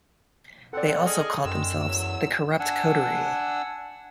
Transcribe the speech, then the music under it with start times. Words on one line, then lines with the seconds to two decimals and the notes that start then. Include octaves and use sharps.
They also called themselves the "Corrupt Coterie".
0.73 C4 A4 D5 F#5
1.05 G#4 D#5 F6
1.45 F#2 D#3 G#3 E6
1.87 E2 F#3
2.60 D4 F#5 G#5 E6